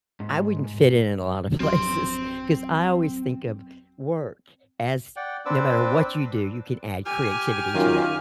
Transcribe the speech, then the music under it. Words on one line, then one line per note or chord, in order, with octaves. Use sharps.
I wouldn't fit in in a lot of places 'cause I always think of work as no matter what you do, you can add creativity to it
G#2
G#1 F2 F#3 C4 C6
D5 F#5 G5
C4 D4 B4 C5 D6 E6
G4 G#5 F6
F#2 D#3 F4